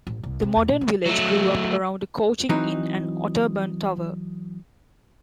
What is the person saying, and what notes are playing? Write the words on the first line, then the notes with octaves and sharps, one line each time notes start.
The modern village grew up around a coaching inn and Otterburn Tower.
A1
C2
C3
E2
A#2
C#3
F#3 A3
E3 F#3 C4 D#4